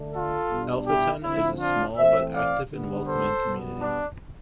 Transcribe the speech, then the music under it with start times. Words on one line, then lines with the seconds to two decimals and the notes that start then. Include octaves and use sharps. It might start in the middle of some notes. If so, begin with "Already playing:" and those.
Alpheton is a small but active and welcoming community.
Already playing: D3 A3 D4
0.13 F4 A4
0.50 B2 G3 D4
0.87 E4 G4
1.23 D3 F3 C4 E4
1.60 D4 F4
1.96 E3 A3 C4 C5 E5
2.33 D5 F5
2.70 D3 G3 B3
3.06 A4 C5
3.43 B2 G3 B3
3.80 D4